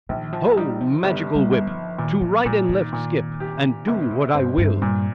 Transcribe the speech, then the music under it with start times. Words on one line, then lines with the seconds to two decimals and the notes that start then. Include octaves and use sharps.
"Ho! Magical Whip! To right and left skip! And do what I will!"
0.09 A#1 D#3
0.33 F3
0.56 G3 D#4
0.81 F3
1.04 G1 G3
1.35 G3
1.51 G1
1.67 F3
1.98 A#2 D#3
2.21 F3
2.45 A#2 F3
2.69 D#3
2.93 A#2
3.40 G4
3.87 G1 C3
4.11 A#2
4.34 G2 C4
4.58 G2
4.82 G2 A#2